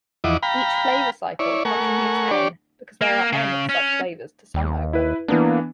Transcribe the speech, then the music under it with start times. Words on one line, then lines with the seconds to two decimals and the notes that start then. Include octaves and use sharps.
Each flavor cycle contributes N because there are N such flavors to sum over.
0.24 E2 F3 E4 D#5 F#5 D6
0.43 F5 G5 A#5 B5
1.39 E4 C#5 D5
1.65 A3 A#4 F#5 G#5 C#6
2.31 D4 G4 C#5 D5
3.01 A#3
3.33 C#3
3.69 C#4
4.54 D#2
4.93 E4 B4
5.28 E3 A#3 B3 D4